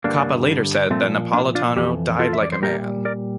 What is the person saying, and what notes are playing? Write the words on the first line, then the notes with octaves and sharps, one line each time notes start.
Coppa later said that Napolitano "died like a man".
G2 D3 G3 A#3 D4
A#2 F3 A3 C4
A#3 D4
D4 F4
F2 E3 G4
F4 A4
E5
D5
C5
A#2 G3 G4 A#4
A#4 D5